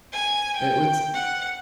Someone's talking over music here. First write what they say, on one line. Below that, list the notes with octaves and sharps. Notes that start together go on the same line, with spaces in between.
It was
G#5
G5
F#5